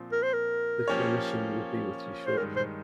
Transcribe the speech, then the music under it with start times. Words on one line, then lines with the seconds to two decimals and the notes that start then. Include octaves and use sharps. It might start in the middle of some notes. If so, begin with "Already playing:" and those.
The clinician will be with you shortly.
Already playing: A#2 F3 C4
0.12 A#4
0.23 C5
0.34 A#4
0.88 F3 A#3 C#4 G4 C#5
2.27 C5
2.37 G2 D#3 G#3 D#4 A#4
2.57 C5